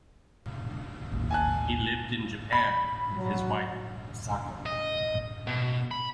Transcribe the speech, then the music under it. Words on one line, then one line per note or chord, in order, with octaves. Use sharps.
He lived in Japan with his wife Asako.
A1 D#2
G#5 A5 F#6
B5
F#3
D#5
B2
B5